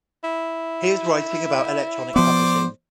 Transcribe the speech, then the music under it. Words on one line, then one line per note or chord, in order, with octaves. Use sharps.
He is writing about electronic publishing.
E4
F3 B3 C5 D5